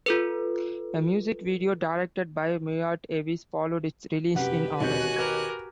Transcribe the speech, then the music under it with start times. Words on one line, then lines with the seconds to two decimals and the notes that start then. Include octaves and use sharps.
A music video directed by Meiert Avis followed its release in August.
0.06 F4 A4 B4
4.35 F1 F#2 G4 B4 F#5
4.80 E1 D#2 B2 C4 F#4 G#5 F#6 G6
5.16 G4 A#4 B4 G#6